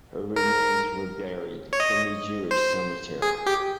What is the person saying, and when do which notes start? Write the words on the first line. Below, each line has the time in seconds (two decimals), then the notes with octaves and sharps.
Her remains were buried in the Jewish cemetery.
0.36 A#4
1.73 C#5
1.80 D#5
2.51 C5
3.22 G#4
3.46 G4